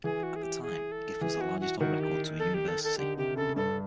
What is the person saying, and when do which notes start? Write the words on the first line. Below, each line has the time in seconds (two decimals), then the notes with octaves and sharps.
At the time, the gift was the largest on record to a university.
0.04 E3 G#4
0.23 F#4
0.36 G#4
0.43 G4
0.62 G#4
0.92 A4
1.21 E3 G#4
1.41 F#4
1.60 F#4
1.79 D#3 F#4
2.00 G4
2.39 A4
2.54 G4
2.68 A4
2.84 A4
2.98 D3 G4
3.18 C3 G4
3.37 C#3 A4
3.56 G2 A4